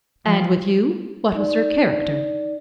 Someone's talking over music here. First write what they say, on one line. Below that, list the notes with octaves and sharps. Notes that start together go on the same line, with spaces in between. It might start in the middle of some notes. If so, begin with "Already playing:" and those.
"And with you, what was her character?"
F3
D#4 D5